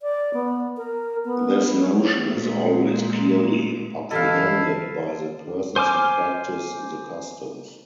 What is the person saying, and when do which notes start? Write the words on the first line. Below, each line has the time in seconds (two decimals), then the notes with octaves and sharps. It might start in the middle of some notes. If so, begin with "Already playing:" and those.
This notion is always clearly apprehended by the persons who practice the customs.
0.01 D5
0.34 B3
0.77 A#4
1.25 B3
1.80 C#5
2.33 A#2 G#3
4.11 E3 E4 G4 A4 D#5 F5
5.76 C5 G#5 D6 F6